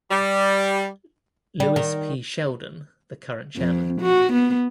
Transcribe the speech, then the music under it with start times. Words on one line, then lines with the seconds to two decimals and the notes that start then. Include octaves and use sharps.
Louis P. Sheldon, the current chairman.
0.11 G3
1.60 G3
1.76 D#3
3.56 F2
4.01 F#4
4.33 B3